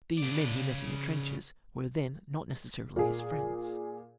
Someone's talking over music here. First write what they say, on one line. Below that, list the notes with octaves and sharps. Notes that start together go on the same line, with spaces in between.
These men he met in the trenches were then not necessarily his friends.
C#3 D5
A#2 G#4